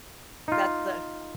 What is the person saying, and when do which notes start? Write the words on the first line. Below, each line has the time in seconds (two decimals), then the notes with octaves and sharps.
that the
0.48 D#4 F4